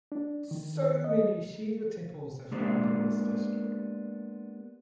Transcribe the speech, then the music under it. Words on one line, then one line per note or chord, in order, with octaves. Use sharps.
So many Shiva temples are found in this district.
D4
D#3
D#5
G#3 A#3 B3 D4 G4 C5